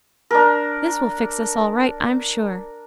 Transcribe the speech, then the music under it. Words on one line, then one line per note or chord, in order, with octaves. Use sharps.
"This will fix us all right, I'm sure."
D4 A#4